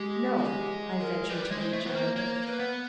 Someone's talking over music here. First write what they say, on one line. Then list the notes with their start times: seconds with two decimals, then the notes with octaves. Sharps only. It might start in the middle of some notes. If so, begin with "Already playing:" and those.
"No," I ventured to rejoin.
Already playing: G#3 G4
0.38 F#4
0.43 G4
1.00 A#4
1.29 G3 B4
1.49 G#3 C#5
1.58 C5
1.73 A3
1.86 B3 C5
1.95 A#3
2.16 A#3 C#5
2.25 C5
2.34 C#5
2.42 C5
2.46 B4
2.60 B3